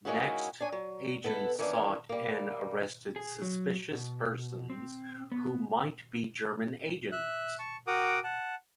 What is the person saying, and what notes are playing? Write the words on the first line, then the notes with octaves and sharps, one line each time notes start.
Next, agents sought and arrested "suspicious persons" who might be German agents.
G#3 A#3 C#4 D#4 E4 F#4
D4 C#5 G#5
F#3
B3 E4 A4 B4
D#3 E3 A#3 C#4 D4
G3 A#3
G#4
F#3
B2
C4
B3
E5 F#6
A5 C#6
F#4 A#4 F#5 G5 D6 D#6
F#5 A5